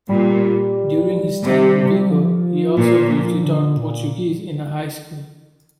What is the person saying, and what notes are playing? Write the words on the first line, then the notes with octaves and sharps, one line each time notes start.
During his time in Vigo, he also briefly taught Portuguese in a high school.
A#2 G3
C3
F3
A#2
D3
A#2